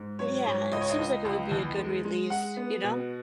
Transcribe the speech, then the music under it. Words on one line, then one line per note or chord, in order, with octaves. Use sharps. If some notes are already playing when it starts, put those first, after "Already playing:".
Yeah, it seems like it would be a good release, you know?
Already playing: G#2
F#3 C#5
G#2 C#5
C#2 D#5
C#5
D#5
C#2
C#2
E2
G#3
G#3
G#3 F#5
B3
B2